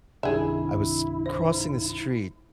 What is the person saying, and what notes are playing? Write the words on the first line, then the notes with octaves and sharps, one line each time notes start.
I was crossing the street
C2 G2 D#3 E4 G#4 E5
C5